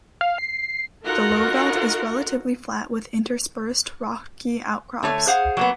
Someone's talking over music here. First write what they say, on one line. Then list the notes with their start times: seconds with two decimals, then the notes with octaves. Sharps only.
The Lowveld is relatively flat with interspersed rocky outcrops.
0.21 F5
0.38 C7
1.04 D#4 F4 F#4 A4 A#4 F#5
5.03 D3 A3 C#5
5.27 G#4 C5 F5 F#5
5.57 F#3 A#3 B3